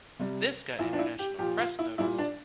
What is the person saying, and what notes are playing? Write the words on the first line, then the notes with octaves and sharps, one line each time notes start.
This got international press notice.
C3 G3
A#2 F3 E4
D4
E4
G4
A#2 F3 G4
F4
E4
A#2 G3 E4
D4